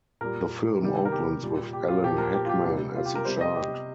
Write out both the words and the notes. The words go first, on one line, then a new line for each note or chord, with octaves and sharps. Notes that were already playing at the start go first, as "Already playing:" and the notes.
The film opens with Alan Hakman as a child.
A#2 G3 A#4
C3 D#3 G3
A#4
G4
A#2 G3
G4
F4
A#2 F3 G4
A#4
G4
F4
G4
C3 G3
F4
G4
A#4
C3 G3 C5
D#5
G4